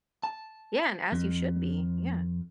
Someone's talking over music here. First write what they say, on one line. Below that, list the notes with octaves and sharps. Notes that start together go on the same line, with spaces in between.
Yeah, and as you should be, yeah.
A5
F2